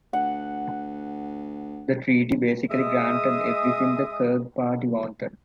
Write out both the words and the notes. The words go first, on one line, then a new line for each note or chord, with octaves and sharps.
The treaty basically granted everything the Kirk Party wanted.
D2 F#5
G#3 E5 D#6